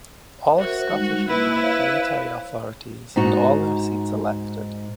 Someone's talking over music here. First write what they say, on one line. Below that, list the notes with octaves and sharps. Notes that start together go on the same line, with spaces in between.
All Scottish and Welsh unitary authorities had all their seats elected.
F#4 A#4 C5 E5
G3 G#3 D#4
A#3 E4 B4 E5
C5 C#5 F5
G#2 D#4 F#4